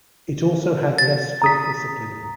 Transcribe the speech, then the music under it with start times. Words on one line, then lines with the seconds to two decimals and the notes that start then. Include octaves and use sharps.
It also had less strict discipline.
0.98 A6
1.42 A#5 D#6 B6